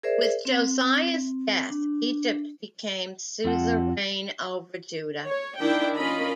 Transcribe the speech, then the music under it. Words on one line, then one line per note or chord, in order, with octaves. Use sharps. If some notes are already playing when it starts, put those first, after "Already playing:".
With Josiah's death Egypt became suzerain over Judah.
G#4 A#4 C5 D5 E5
C4
D4
F2 C4 F4 F#5 A5
C#5
D#3 D4 E4 G5
C#4 F4 A#4 D#5 B5